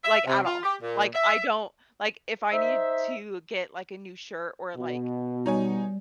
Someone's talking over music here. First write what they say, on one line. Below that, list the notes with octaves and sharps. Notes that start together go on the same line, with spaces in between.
Like, at all, like, I don't like, if I need to get, like, a new shirt or, like,
E5
C3
F4
G4
A#2
E5
D#4 C5 E5
B2
G3 D#4 C#5 G#5